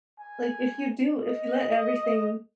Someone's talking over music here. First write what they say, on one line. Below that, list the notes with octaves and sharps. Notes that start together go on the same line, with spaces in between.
like if you do if you let everything
G#5
D#5